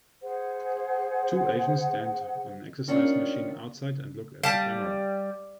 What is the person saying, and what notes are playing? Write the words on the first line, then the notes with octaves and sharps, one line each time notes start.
Two Asians stand on an exercise machine outside and look at the camera.
G#4 C5 F#5
D#3 C#4 D4 F4
G3 F5 A5 B6